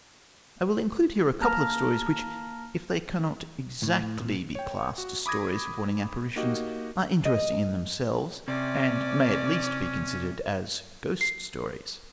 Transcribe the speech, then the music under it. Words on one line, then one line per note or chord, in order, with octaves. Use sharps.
I will include here a couple of stories which, if they cannot exactly be classed as stories of warning apparitions, are interesting in themselves, and may at least be considered as ghost stories.
A#3 A5 A#5 F6 A#6
A2
A#2
C#5 G5
F#4
B5 D6 D#6 G#6 A#6
A#3 D#4 F#4 G4 D#5
D#5
C3 C#4 D5
C7